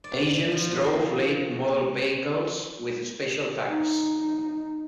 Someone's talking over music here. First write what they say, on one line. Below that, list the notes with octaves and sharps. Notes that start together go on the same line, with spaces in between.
Agents drove late model vehicles with special tags.
D5
F3
A#3
D#4